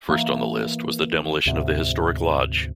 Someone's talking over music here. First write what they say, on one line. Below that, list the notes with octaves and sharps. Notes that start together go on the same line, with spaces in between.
First on the list was the demolition of the historic lodge.
E3 A#3
D2 G#2 C3